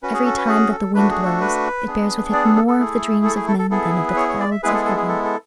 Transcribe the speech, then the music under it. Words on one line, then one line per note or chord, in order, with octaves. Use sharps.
Every time that the wind blows it bears with it more of the dreams of men than of the clouds of heaven.
C#4 F#4 B4
G#4
A4
B4
G#4
A4
A3 D4 F#4 B4
G#4
A4
B4
B3 D4 G#4
D5
A4
A4
A4
A3 E4 G#4
A4
G#4
A4
A4
B3 E4 G#4 A4
B4
C#5
C#5
D5
E5
G#3 B3 E4 G#4 B4
A4
A4
G#4
A4
A4